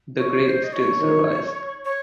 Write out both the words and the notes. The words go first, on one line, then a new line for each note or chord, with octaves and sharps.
The grave still survives.
C#5
C5
D#5
C#5
D#3
C#5